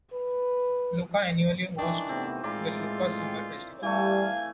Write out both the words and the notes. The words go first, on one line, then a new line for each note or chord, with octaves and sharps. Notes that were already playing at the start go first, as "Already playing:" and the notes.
Lucca annually hosts the Lucca Summer Festival.
B4
D#3 E3 D4
C3 A3 B3 C4
A2 G#3 F4 A#4 D5
E3 G3 A3 F5 G#5